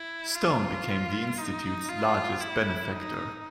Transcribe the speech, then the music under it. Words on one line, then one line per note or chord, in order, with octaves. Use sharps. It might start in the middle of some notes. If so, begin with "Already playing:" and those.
Stone became the Institute's largest benefactor.
Already playing: E4
F4
D#4
F4
E4
D#4